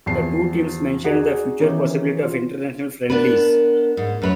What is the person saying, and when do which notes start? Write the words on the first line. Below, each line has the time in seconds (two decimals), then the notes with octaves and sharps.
The two teams mentioned the future possibility of international friendlies.
0.06 E2 F3 G3 C4 A5 C7
1.04 D#4 F#4 G#4 D5 F#5
1.60 D#3 E3 B3 C#4 D#4 G4
2.23 F4
3.10 B3 D4 A#4 B4
3.97 G#2
4.22 F#2 B4 C#5